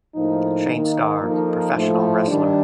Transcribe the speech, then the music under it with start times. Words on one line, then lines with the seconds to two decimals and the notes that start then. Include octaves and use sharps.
Shane Starr, professional wrestler.
0.15 A2 F3 A#3 D#4
0.69 D#3 A#3 D#4
1.21 F3 A#3 D#4 A4
1.73 A2 F3 A3
2.26 D#3 G3 D4